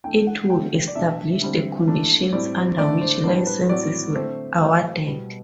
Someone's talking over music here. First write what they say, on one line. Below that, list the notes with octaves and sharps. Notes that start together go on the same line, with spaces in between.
It would establish the conditions under which licences were awarded.
E3 A3 D4 G5
F#5
D3 F#3 A3 G5
D5
B2 A3 D4 E5
D3 G3 C4
E3 A3 D4
A2 G3 C4 D5
C5
D3 A3 D4 D5
C5
A2 G3 B3 D4 C5
B4
A2 F#3 C4 D5
D3 A3 C4 C5
A2 F#3 A3
B2 G3 B3